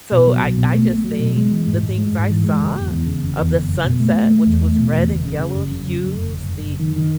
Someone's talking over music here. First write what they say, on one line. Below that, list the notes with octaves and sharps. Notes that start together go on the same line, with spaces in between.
So I I just think the things I saw of the sunset, which was red and yellow hues, the
B2
F#3
B1
B2
A3
A3
F#3
B2
G#3
E3
G#2
G#2
G#3
G#2
E3
G#3
F#1
E2
E2
C#3
F#1
E2
F#1
F#1
B2
A3
A3
A3
E2
A3
B2
E2
F#1
C#3
C#3
F#1
F#2
F#1
F#1
F#1
F#1
F#1
F#1
D#3
D#3